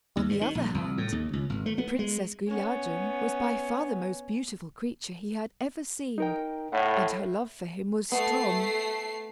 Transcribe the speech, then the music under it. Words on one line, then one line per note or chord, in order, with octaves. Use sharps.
On the other hand, the Princess Guilliadun was by far the most beautiful creature he had ever seen, and her love for him was strong.
D#2
G2
D#3
A#1
C2
A2
D#2
C#2
G#1
A3
B3
G#3
B3 C#4
D#4 A#4 G5
A2 F#5
A3 B3 C7